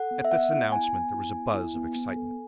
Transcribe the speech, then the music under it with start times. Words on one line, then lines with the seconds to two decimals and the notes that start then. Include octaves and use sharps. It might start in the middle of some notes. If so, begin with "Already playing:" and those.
At this announcement there was a buzz of excitement.
Already playing: A4 F#5
0.11 B3
0.25 E5
0.32 B3 F#5
0.52 E4
0.72 B3 G#5
0.93 B3
1.14 E4
1.34 B3
1.54 E4
1.75 B3
1.95 B3
2.16 A4